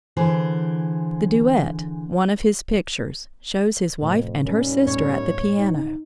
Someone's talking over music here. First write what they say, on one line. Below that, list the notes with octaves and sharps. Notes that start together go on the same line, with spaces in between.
"The Duet", one of his pictures, shows his wife and her sister at the piano.
D3 E3 G#4 C5
F2 A2 C3
D#2 G3 C#4
F#2 A2 B3 C#5
D#4